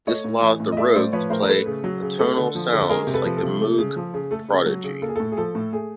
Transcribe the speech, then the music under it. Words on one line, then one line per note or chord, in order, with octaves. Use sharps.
This allows the Rogue to play atonal sounds like the Moog Prodigy.
A3 C#5 D#5
A2
E3
A2
D#5
A3 D5 E5
A2 C5 D5
F3 B4 C#5
A2 A#4 C5
A#4
A3 A4 B4
C#3
F#3
C#3
A3 A4
D3
F3
D3
A4
G#3 G#4 A#4
C3
A4 B4
F3
A4
C3
A3
C#3
F3
C#3
A3 A4
C#3
F#3
C#3
A#3 A4
G#4
A2 A4
G#4
F3 A4
A2
A3 G#4